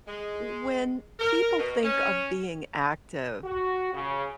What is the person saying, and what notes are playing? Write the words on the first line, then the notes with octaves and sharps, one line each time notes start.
when people think of being active,
G#3
A#4
B2
C#4
F#4
C#3